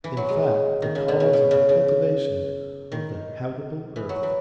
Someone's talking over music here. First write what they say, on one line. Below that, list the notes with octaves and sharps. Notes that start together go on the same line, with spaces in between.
"In fact, the cause of the cultivation of the habitable earth."
E3
F#3
G#3
D#3
C#3
B2
C#3
B2
C#3
C#3
D#3
E3
F#3
E3